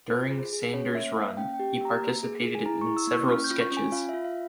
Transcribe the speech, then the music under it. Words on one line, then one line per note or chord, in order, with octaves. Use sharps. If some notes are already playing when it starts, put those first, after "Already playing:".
During Sanders' run, he participated in several sketches.
F4 C5
G#4
G#4
C#4 C#5
A#3 E5
A#3 F5
C#4 G5
G5
G4
A#3 A#5
A#3
G#4
G#4
G#5
E4 A#5
C#6
E4
E6
A#3
C#6
C#4 F6
G6
F4
C#6
C#4
G#5
F4 F5
E5
F4
F5